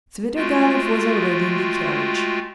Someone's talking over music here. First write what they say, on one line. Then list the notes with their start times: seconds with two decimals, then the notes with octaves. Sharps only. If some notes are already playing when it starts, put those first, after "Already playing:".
Svidrigailov was already in the carriage.
0.36 G#3 A3 F4 F#4 G5